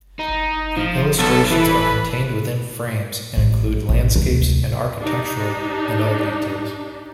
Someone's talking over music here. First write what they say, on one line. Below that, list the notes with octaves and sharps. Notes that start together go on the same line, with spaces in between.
The illustrations are contained within frames and include landscapes and architectural and other details.
D#4
F3
B1 B3 C#4 A4
E3 A4 B4 B5
A1
A1
D2 C3
D4 D#4 G4